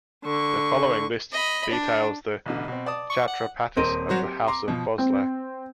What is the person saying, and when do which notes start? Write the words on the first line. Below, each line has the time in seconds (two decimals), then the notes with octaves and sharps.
The following list details the Chhatrapatis of the House of Bhosle.
0.25 D3 C#6
1.32 D#5 B5
1.70 D4
2.46 A1 B2 D3
2.68 B2 C4
2.86 D5 A5 D#6
3.10 C#6
3.28 F#5
3.77 D#1 C4 A#4 D#5
4.09 F#3 F#4 C5
4.22 G4
4.47 A#5 C6 D6
4.68 B2 F3
4.98 C4